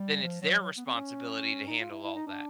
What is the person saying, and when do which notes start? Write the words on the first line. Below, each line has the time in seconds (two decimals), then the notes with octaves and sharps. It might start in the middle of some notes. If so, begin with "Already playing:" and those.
then it's their responsibility to handle all that.
Already playing: G3
0.23 F3
0.42 F#3
0.59 F#3
0.77 B3
0.86 C4
0.95 C#4
1.67 D#4
1.79 F4
1.91 E4
2.03 E4
2.15 D#4
2.27 D4